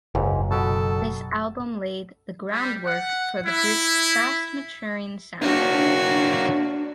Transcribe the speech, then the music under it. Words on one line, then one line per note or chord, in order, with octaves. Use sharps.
This album laid the groundwork for the group's fast maturing sound.
F#1 C#2 G#2
B2 F#3 G4 A4
G3
F#5
E4
A#3 C#4 D4 F#4